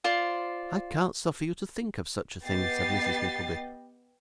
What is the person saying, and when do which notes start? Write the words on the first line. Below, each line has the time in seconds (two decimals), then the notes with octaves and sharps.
'I can't suffer you to think of such a thing,' said Mrs Nickleby.
0.04 F4 C5 D5
2.45 B3 G4 D#5 A6 C7